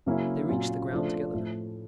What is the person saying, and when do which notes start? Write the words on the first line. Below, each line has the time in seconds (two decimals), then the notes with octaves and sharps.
They reached the ground together.
0.06 C#3 F#3 A#3 C#4 E4
0.49 A#2 F#3 A#3 C#4 F4
0.91 F3 A3 D4 F4
1.34 A2 F3 A3